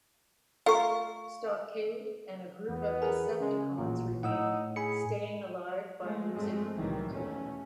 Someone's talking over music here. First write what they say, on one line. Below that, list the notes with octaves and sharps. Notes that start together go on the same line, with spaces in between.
Stockade and a group of Decepticons remain, staying alive by using Nucleon.
A3 F4 A#4 F5 C#6
E2 B3
G#4 A#4 G#5
C#3 G#3
A1 A#2 F#3
A2 D#4 F#5 D#6 E6
G#4 G#5 B5 C#7
G#3 A3
G2 G#3 A3 C4
C2 A2 D#3 E3 F#3 G3
E2 B2 A3 C#4